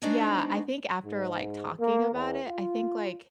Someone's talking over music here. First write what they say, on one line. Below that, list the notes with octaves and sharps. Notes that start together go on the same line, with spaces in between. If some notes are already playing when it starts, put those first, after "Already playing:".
yeah, I think after like, talking about it, I think like
G#3 B3 D4 D#4 F#4 C5
G#2
A#3
E2
F4